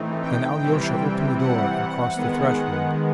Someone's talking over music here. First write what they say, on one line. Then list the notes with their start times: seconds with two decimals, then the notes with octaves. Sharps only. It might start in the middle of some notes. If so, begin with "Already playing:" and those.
Then Alyosha opened the door and crossed the threshold.
Already playing: A2 E3 A3 C4 D#4
0.23 G5
0.62 C3 E3 G3 C4
1.38 F#5
2.15 D#3 G#3 B3